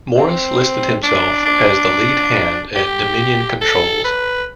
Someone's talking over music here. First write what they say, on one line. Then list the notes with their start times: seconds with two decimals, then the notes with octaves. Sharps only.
Morris listed himself as the lead hand at Dominion Controls.
0.18 C4
1.03 D4
1.46 D4
2.75 G4
3.61 A4
4.04 B4